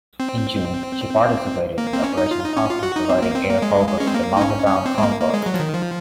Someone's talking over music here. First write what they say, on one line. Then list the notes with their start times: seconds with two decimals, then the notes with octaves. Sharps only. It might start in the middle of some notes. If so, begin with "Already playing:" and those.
In June, she participated in Operation Harpoon, providing air cover for the Malta-bound convoy.
0.20 C4
1.78 A#3
1.93 C4
2.04 C#4
2.17 D#4
2.31 F4
2.44 D#4
2.57 C#4
2.70 F4
2.83 F#4
2.96 D#4
3.09 C4
3.22 A#3
3.36 C4
3.49 A#3
3.62 G#3
3.89 G#3
4.00 C#4
4.07 C4
4.14 A#3
4.37 D#4
4.41 C#4
4.67 C#4
4.86 C4
4.98 G#3
5.03 A#3
5.21 A#3
5.34 G#3
5.46 F#3
5.54 F3
5.60 D#3
5.73 F3